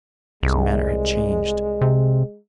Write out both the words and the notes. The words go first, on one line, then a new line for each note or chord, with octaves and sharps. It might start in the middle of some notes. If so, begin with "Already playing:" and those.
His manner had changed.
C2 G#3
C3